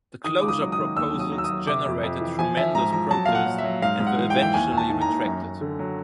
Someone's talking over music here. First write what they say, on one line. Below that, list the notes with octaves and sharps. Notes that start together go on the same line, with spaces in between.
The closure proposals generated tremendous protest and were eventually retracted.
D#3 D#6
C#2 D6
D#6
F#3
D#6
D#3
D#2 E6
F#3
D#6
F#3
E6
D#6
F#3
C3 D6
F2
F2
E3
F3 G#5
F3 E5
G#2 A#5
F3 A#5
F#3 A5
A#2 F5
F#5
F#3
E5
F#3
G#2 F5
G#2
F#5
E3
G5
E3
G5
D#2 G#5
D#2
A5
D#3
A#5
D#2
F#2
F#2
D3
F#3